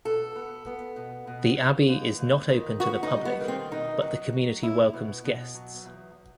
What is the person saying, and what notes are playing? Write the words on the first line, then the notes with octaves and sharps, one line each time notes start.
The Abbey is not open to the public, but the community welcomes guests.
B2 A4
B3
B3
B2
B2
B2
D#2
D#2
D#3
B3 F#4
D#4
G3
B3
D#3
C4
B2 D#4
F#3
F#3
B2 E4
B2
B2
F#3
E2